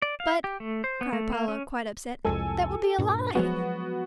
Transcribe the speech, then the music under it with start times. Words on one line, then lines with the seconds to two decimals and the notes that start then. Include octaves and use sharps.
"But," cried Paula, quite upset, "that would be a lie!"
0.02 D5
0.20 F5
0.44 G4
0.60 A3
0.84 C5
1.01 B3
1.12 A3
1.32 A#3
1.48 C#4
2.25 C2 F2 G#3 A4 G#5 E6
2.98 G2 A#2 D4
3.35 F3 F#3 G#3 B3 F#4